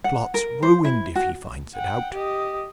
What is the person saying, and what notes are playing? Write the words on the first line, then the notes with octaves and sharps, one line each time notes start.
Plot's ruined if he finds it out!
F#5
A#4
C5
E4
F#4
F#5 G5
G4 D#5